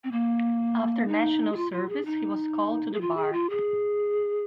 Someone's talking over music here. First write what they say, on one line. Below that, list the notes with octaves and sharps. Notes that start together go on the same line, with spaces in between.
After National Service he was called to the Bar.
C4
A#3
D#4
G#4
F4
F4
G#4
D#4
G#4
F4
G#4
F4
G#4